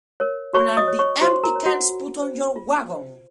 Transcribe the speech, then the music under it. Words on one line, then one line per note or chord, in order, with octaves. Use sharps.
When are the empty cans put on your wagon?
A#4 C#5
F#4 C#5 C#6
D#5 D#6
C#5
C#5 C#6
F#4 C5 C6
A#4 A#5
C#5
F#4 F#5
F4
C5
F4
C5